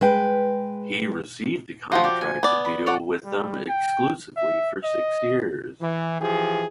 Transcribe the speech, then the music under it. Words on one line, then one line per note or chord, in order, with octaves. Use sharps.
He received a contract to deal with them exclusively for six years.
G#3 B4 G5
F3 F4 F#4 G5 A#5
G4 D5
G#5
B3 D5
B5
C#5 D5 F#5
G3
G5
E5
D#5
E3
E3 F3 G4 G#4